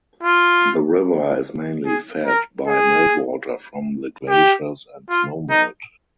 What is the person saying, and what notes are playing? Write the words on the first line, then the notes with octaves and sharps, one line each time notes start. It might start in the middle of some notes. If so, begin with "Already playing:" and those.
The river is mainly fed by meltwater from the glaciers and snowmelt.
F4
G#4
A#4
G#4
G4
F4
D#4